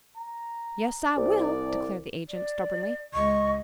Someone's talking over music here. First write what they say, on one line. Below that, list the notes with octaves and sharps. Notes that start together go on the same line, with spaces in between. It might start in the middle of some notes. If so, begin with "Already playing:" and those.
"Yes, I will," declared the agent, stubbornly.
A#5
C2 D5
D5
C#2 G#3 D#5 C#6